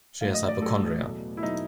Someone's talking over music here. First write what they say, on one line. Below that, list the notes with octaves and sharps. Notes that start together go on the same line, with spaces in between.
She has hypochondria.
A2 F#3 A3 F5
D#5
D5
A2 F#3 A3 A4
E2 B2 F#3 A3
E4
B2 F#3 A3 D#4